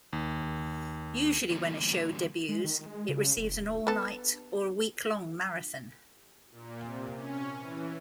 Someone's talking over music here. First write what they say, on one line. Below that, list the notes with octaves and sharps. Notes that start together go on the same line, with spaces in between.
Usually when a show debuts, it receives an all-night or a week-long marathon.
D#2
D3 E3 F#3 G3 A#3 B3
G#3
D#3
G#3
C#3
F1
D#1
B3 A4
A#2
C3
C#4
E3